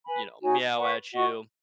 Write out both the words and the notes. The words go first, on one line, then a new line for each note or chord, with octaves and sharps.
you know, meow at you.
B4 G#5 B5
D#4 F#4 C#5 G#5
B4 F#5 C#6
F#4 D#5 F#5 C#6